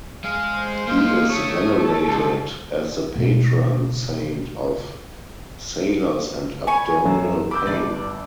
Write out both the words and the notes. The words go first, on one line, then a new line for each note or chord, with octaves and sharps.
He is venerated as the patron saint of sailors and abdominal pain.
G#3 G#4 F5
C5
A#3 D#5 F5
A3 C#5 D#6
A4
C#2
B2 G#3 A3
G#5 B5 C#6
F#2 A4 C#5
B5 D6 E6 G6
G1 G2 D5